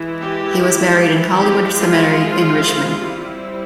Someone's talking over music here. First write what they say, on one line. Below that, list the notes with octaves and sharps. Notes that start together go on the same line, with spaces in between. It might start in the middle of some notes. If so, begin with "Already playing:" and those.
He was buried in Hollywood Cemetery in Richmond.
Already playing: E3 G#3 E4
G4
F3 G#3 C4 E4 G4
F4
G3 C4 E4